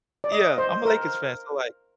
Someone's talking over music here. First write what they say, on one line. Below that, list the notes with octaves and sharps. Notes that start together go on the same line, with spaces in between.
fan. Yeah, I'm a Lakers fan, so like
D5
D#5
C5
A#4